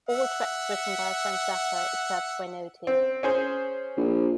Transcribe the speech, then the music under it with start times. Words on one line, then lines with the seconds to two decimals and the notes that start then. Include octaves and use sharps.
All tracks written by Frank Zappa, except where noted.
0.09 E5 F#5
2.87 C4
3.23 C#4 G#4 C5
3.97 A#1